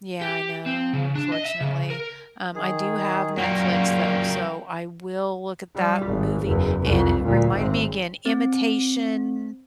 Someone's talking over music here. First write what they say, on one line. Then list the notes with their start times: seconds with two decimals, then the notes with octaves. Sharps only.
Yeah, I know, unfortunately. Um, I do have Netflix, though, so I will look at that movie. And remind me again, Imitation
0.21 G4
0.66 C4
0.93 C#3
1.15 D4
1.32 D#5
1.45 E5
1.61 C#3
1.90 A#4
2.56 D#3 G#4
3.38 F#2 A#2 F#3 A#3 C#4 G5
5.75 G3
6.06 G#1
6.45 F#1 E2
6.82 C2 F2
7.23 D2 A#2
7.52 G#1 C4
8.26 C4